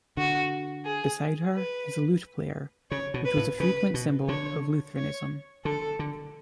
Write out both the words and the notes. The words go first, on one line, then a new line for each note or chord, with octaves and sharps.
Beside her is a lute-player, which was a frequent symbol of Lutheranism.
D3 F#4
G#4
B4
C#3 C#5
B2
B4
A2
C#3 B4
B2
D3 C#5
C#5
D3 A4
D3